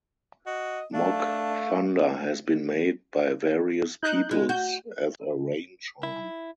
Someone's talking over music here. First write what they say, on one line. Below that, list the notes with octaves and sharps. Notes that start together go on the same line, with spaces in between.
Mock thunder has been made by various peoples as a rain-charm.
F#4 D#5
A3 D4 F5
D#4 F#6 G6
G#3
F#4 G6
E4